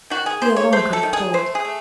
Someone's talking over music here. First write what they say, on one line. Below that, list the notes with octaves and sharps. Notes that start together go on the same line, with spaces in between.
He alone could have told.
D#3 F#4
G#4
D#3 C5
C#5
A3 C5
A4
D#3
G#4
A3 C5
G#4
A3